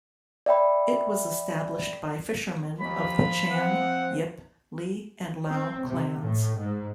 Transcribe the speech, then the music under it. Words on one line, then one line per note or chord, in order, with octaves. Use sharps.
It was established by fishermen of the Chan, Yip, Li and Lau clans.
D5 E5 G5 B5
D#2 F3 B5
C4 F#5
C4
C3
A2
G#2